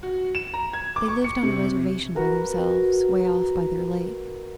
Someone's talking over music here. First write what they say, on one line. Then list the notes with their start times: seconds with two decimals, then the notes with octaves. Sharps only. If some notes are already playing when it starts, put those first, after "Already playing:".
They lived on a Reservation by themselves away off by their lake.
0.03 F#4
0.35 E7
0.54 A#5
0.73 G#6
0.96 D6
1.08 C#6
1.24 C#7
1.43 C3
2.15 F#4 A#4 B4